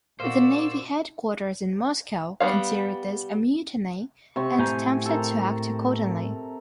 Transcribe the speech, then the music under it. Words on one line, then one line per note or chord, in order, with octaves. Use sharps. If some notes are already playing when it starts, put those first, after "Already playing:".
The Navy headquarters in Moscow considered this a mutiny and attempted to act accordingly.
A#2 A#3 F#4 C5 D5 E6
G3 B3 C#5 F5
C3 C4 C#6
A2 C5 G#5 A#5
A4 A#4